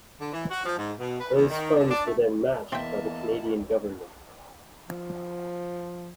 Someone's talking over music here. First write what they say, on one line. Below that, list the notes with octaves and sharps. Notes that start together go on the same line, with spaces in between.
Those funds were then matched by the Canadian government.
D3
E3
F#4
F3
G#2
B2
B4
E2
D#3
D3
D4
A3
E2 A#3 C4 D#5 E5 G5 A5
F3